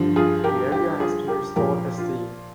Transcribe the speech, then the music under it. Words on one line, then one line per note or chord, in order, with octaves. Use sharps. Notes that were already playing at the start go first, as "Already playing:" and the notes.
The area has been restored as the.
Already playing: G2 D3 F3
F4 G#4
G4 A#4
G4
F4 G#4
G4 A#4
A#2 F3 G4 A#4
F4